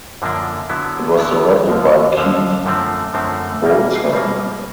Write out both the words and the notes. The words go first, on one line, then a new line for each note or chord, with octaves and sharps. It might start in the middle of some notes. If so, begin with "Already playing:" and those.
It was directed by Keith Beauchamp.
F#2 D3 F3 A#3 D4
D3 F#3 B3 E4
D3 F#3 B3 E4
D#2 D3 F3
D#2 D3 F3
F#2 D3 F3 A3 C4
F#2 D3 F3 A3 C4
B2 G3 A#3
B2 G3 A#3